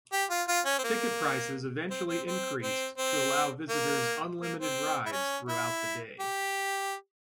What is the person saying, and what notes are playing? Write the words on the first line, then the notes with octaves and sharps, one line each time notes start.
Ticket prices eventually increased to allow visitors unlimited rides throughout the day.
G4
F4
F4
C#4
C4
A#3
C4
C4
C4
C4
C4
A#3
A#3
C4
E4
C#4
E4
G4